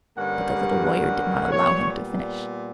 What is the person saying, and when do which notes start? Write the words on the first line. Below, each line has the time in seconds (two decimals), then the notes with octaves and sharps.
But the little lawyer did not allow him to finish.
0.16 G2 D3 G3 A#3 C#4 F#5
0.84 F#5
1.52 A#2 G3 B3 C#5